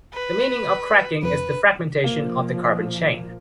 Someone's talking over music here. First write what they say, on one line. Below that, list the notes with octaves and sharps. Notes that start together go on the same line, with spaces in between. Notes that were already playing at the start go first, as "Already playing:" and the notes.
The meaning of cracking is the fragmentation of the carbon chain.
B4
F2 B4
A#2 F3 A#3